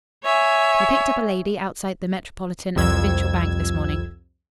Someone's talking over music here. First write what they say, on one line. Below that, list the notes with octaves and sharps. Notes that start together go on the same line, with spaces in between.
You picked up a lady outside the Metropolitan and Provincial Bank this morning.
C#5 E5 G#5
C2 F2 E6 G#6